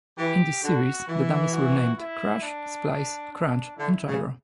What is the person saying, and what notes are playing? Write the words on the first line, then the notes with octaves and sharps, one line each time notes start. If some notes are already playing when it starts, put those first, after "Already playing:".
In this series, the dummies were named Crash, Splice, Crunch, and Gyro.
E3 G4
D3 F#4
E3 E4
F#4
E4
D4
D4
D4
D3 E4
C#3